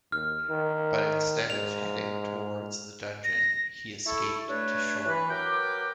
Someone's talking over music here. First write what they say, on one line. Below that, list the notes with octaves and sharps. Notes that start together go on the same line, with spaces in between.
But instead of heading towards the dungeon, he escaped to shore.
D#2 F6
D#3
G#2 F7
A#6
E4 A4 C#6
G2 A3 D4 B4 C#5
E3 B4
F#3 A#4 B4 G5 D6